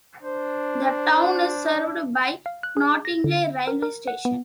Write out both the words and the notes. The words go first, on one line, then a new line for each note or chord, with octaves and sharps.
The town is served by Knottingley railway station.
D4 C5
F5
F#6
G#4
A#6
D3
A#4
A#4
F#5
B3